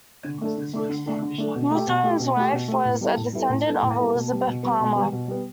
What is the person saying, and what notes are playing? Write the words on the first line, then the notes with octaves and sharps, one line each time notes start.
Hawthorne's wife was a descendant of Elizabeth Palmer.
D3
A3 D4 A4
D3
A3 D4 A4
D3
A3 D4 A4
D3
A3 D4 A4
B2
A3 G4
B2
A3 G4
B2
A3 G4
B2
A3 G4
A2
G3 B3 E4 A4
A2
G3 B3 E4 A4
A2
G3 B3 E4 A4
A2
G3 B3 E4 A4
B2
G3 B3
B2
G3 B3
B2
G3 B3
B2
G3 B3